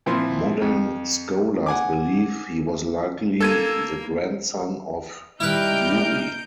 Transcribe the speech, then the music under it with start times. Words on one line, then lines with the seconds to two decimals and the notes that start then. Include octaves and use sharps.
Modern scholars believe he was likely the grandson of Yuri.
0.06 A#2 E3 F3 C4
0.62 F2
1.66 F#5 G#5 D6
3.41 A#3 A4 G#6 D#7
5.40 G3 D#4 E4 B4 F6 G6 D7